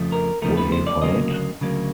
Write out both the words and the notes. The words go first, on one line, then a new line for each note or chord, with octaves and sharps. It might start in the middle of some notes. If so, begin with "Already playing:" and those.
Will he fight?
Already playing: F2 C#3 F3 A3
A#4
F2 C#3 F3 A3 A#4
B4
C5
D5
D2 C#3 F#3 A#3 D#5
D2 C#3 F#3 A#3